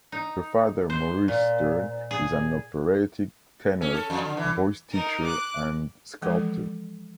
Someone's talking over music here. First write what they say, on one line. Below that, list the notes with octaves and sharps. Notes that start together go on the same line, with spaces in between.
Her father Maurice Stern is an operatic tenor, voice teacher and sculptor.
D#4
C5
A#2
G#4
C#4
A4
F2
D3
E3
D#4 A#4
D6 F#6
E3 F3 G#3 A4